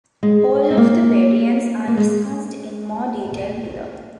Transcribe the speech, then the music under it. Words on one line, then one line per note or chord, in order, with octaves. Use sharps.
All of the variants are discussed in more detail below.
G#3
C4
A#3
A#3
G#3